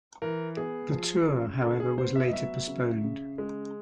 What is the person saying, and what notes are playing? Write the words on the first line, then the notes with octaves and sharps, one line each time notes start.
The tour however was later postponed.
E3 A#4
B3 G#4
F3
C#3
D3 A4
G#4
B3 C5
E5
D#5
F#3 E5
C#3
C#3
G#3